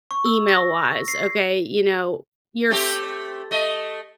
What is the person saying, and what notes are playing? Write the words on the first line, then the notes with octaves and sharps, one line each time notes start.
email-wise, okay, you know, you're s
C#6
E6
A#6
C7
A3 C4 G4
A3 D#5